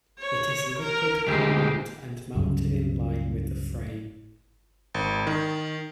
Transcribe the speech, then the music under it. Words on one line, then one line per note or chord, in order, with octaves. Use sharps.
It is liquid-cooled and mounted inline with the frame.
C#5
A#4
D2 G#3 G4
C#2 G2 C#3 F#3
G#1
D#3